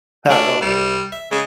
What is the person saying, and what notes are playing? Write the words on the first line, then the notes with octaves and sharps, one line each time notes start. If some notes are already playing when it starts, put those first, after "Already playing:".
Oh, go ahead.
A3 C#4 D4 C#5
C2 G3
E5
C#3 G#3